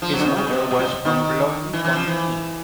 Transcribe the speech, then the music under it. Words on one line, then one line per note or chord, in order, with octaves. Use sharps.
His mother was from Bloemfontein.
F3
F#3
D3
C#3
C#3
B2
C3
B2
A#2
C3
D#3
E3
E3
F3
E3